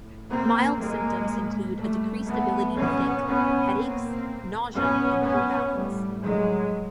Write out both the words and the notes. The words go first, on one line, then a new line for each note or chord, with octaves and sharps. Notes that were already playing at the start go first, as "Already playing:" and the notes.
Mild symptoms include a decreased ability to think, headaches, nausea, and poor balance.
Already playing: A2
A#3 C4
A2 G#3 A#3
A#2 G3 A3
A3 B3
A#2 B3 C#4
B3 C#4
A#2 A#3 C4
A#2 B3 C#4
B3 C#4
A2 G3 A3
F#3 G#3